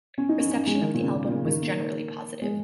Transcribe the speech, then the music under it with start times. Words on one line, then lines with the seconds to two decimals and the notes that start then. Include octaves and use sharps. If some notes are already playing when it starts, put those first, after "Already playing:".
Reception of the album was generally positive.
0.18 C#4
0.29 D#4
0.39 C#4
0.50 C#4
0.67 G#3
0.82 D#3
0.94 A#2
1.03 C#3
1.14 A#2
1.26 A#2
1.30 C#3
1.45 D#3
1.62 A#3
2.42 G#3